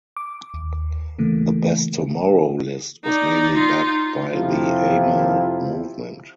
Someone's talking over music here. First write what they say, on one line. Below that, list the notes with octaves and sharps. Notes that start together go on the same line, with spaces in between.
The "Best Tomorrow" list was mainly backed by the Amal Movement.
D6
D#2
C#3 E3 A3 A#3
D#4 D5
D#4 F4
F2 C3 F3 E4 F4